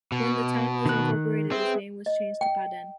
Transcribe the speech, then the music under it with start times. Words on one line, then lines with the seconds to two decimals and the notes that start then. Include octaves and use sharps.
When the town was incorporated its name was changed to Paden.
0.12 B2
0.86 D#3 F#6
1.52 C4 G#4 B4 E5
2.06 D#5
2.41 G5